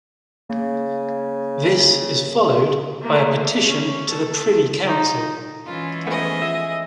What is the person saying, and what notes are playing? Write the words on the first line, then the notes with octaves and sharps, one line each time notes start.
This is followed by a petition to the Privy Council.
C#3 A#3
A3 A#3
C#4
A4
D#4
E3 G#3 C#4 F4
F3 A3 B3 G#4 D#5
E5